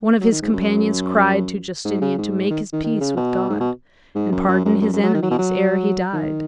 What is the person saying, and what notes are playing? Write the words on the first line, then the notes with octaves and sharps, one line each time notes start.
One of his companions cried to Justinian to make his peace with God, and pardon his enemies ere he died.
F#3
D#3
G#2
F#2
G#2
C#3
G#2
D#3
D#3
D#3
C#3
B2
G#2
B2
G#2
F#2
F#2
F#2
F#2
F#2
F#3
D#3
F#3
B2
F#3
D#3